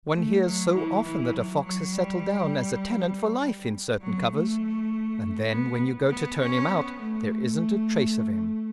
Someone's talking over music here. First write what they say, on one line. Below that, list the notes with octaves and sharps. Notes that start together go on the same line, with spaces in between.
One hears so often that a fox has settled down as a tenant for life in certain covers, and then when you go to turn him out there isn't a trace of him.
A3
F#3
E3
E3
F#3
F#3
G3
F#3
A3
B3
B3
C#4
B3
A3